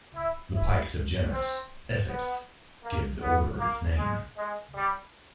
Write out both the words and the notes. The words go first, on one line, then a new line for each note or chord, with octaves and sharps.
The pikes of genus "Esox" give the order its name.
E4
E4
C4
B3
A#3
B3
A#3
G#3
G#3
G3